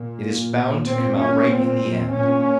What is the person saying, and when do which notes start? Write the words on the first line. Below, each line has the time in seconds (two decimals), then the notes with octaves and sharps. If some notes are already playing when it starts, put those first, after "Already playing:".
"It is bound to come out right in the end."
Already playing: A#2
0.85 A#2 C4
1.18 C#4
1.49 C4
2.12 A#2 C#4